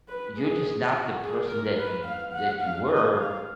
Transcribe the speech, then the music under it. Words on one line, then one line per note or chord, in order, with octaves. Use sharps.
you're just not the person that you that you were
B4
G#4
F#4
G#4
A#4
B4
F5
F#5
F5
D#5
F5